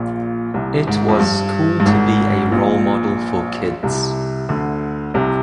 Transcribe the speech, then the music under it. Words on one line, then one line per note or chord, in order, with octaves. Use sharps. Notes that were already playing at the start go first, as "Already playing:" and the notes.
It was cool to be a role model for kids.
Already playing: A#1 A#2
C2 C3
G#1 G#2
F2
G2
G2
G#1 G#2
A#1 A#2
C2 C3
D2 D3
C2 C3